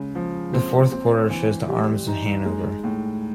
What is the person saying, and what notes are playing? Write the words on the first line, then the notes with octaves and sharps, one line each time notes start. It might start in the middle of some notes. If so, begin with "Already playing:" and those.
The fourth quarter shows the Arms of Hanover.
Already playing: C#3 G#3
F3
C4
C4
E3
G3
D#4
G#3
A2